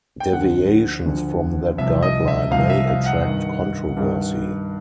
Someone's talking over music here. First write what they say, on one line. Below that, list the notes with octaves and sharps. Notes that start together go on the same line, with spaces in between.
Deviations from that guideline may attract controversy.
G5
D2 D3 F3 F#5
D2 D3 F3
C2 C3 F3 E5
D#5
E5
C2 C3 F3 F5
E5
F5
F#5
G2 D#3
G2 D#3